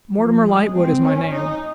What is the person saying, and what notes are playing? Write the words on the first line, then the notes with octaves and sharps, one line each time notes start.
'Mortimer Lightwood is my name.
F3
G#3
C4
C#4
D#4